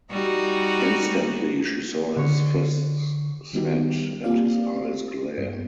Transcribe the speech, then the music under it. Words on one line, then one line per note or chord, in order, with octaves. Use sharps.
Instantly she saw his fists set and his eyes glare.
G3 D#4 F#4
D3 C#5
D#3 G3 B3 D#4 F#4 G4
A#3 C4 F4 G4 D5 F5
G2 B3